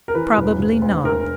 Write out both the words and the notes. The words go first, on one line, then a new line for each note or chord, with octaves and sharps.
Probably not.
A#4
E3 B4
E1
E1
D2
E1 A#4